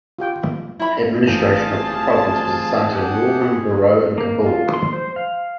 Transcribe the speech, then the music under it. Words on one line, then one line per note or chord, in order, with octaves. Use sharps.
Administration of the province was assigned to the Northern Bureau in Kabul.
F4 G4 G5
E4 B5
A1 C3 F3 F4 G#4 A5 G6
G4 F#5
A#3
F4
C6
C5
F5